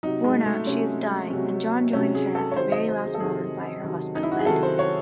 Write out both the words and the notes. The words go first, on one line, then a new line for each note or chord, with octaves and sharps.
Worn out, she is dying and John joins her at the very last moment by her hospital bed.
C3 F#3 D#4
G#3
A3
C3 F#3 C#4
C3 F#3
C3 F#3 C#4
G#4
A4
C#5
C3 D#3 F#3 C5
D#5
C5
G#4
A4
C3 D#3 F#3 G#4
C3 D#3 F#3
D#4
E4
F#4
G#4
C3 D#3 F#3 A4
C5
C#5